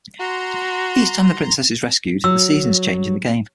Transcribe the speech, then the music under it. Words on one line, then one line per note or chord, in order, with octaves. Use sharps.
Each time the princess is rescued, the seasons change in the game.
F#4 A#5 C6
F#3 E6